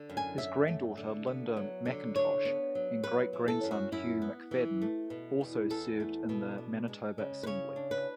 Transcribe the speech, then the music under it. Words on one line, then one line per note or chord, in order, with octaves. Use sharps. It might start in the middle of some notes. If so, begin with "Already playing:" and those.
His granddaughter Linda McIntosh and great-grandson Hugh McFadyen also served in the Manitoba assembly.
Already playing: D3
F#2
G#5
F#2 E5
A3
D3
B3
F#3
D3
D4 C#5
B3
F#3
B3 B4
E3
A4
F#2
F#4
F#2 E4
B3
E3
A3
B2
E2
E2 A4
A3
B2
D4
G#3
C#3
B4
C#3 C#5
D4
B4